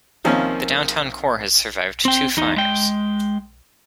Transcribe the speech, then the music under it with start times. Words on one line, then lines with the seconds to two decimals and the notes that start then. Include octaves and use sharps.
The Downtown Core has survived two fires.
0.25 C3 D#3 F3 A#3 C4 C#4
2.05 C4 G5
2.37 E2 D#4
2.56 G#3 G5